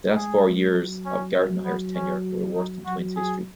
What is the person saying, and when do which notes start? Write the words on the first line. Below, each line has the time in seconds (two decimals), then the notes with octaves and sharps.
The last four years of Gardenhire's tenure were the worst in Twins history.
0.15 G#3 G#4
0.46 G#3
0.75 F#3
1.06 C#4
1.36 F#3
1.65 B3
1.96 C#4
2.56 F#3 D#4
2.86 F#3 F#4
3.16 G#4